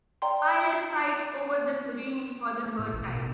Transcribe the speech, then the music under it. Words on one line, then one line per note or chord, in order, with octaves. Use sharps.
Pilots fight over the Turini for the third time.
D5 G5 A#5 C6
A3
A2
A1
B2